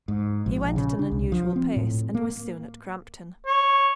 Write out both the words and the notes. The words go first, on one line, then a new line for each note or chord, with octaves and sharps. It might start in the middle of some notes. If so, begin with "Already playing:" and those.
He went at an unusual pace, and was soon at Crampton.
G#2
A#1
C#3
D4
C2
F3
C4
A2
A#3
C#5